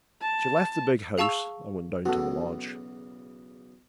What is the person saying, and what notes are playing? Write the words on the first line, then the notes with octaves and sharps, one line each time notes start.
She left the big house and went down to the lodge.
A5
G#4 F5 A5 C#6 E6 F7
B1 E2 C#3 F#4 A4